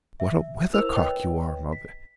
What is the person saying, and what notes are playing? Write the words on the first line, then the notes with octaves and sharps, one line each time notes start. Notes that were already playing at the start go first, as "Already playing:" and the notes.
'What a weathercock you are, mother!
E5
E4 A#4 C5 E6 F7
B4 C#5 D#5 G5
B6